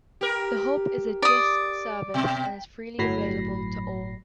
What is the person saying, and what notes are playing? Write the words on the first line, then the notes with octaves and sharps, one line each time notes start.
The Hub is a Jisc service, and is freely available to all.
G4 A#4
D5 D#6
B2
G1 A2 F#3 B5 A#6 C7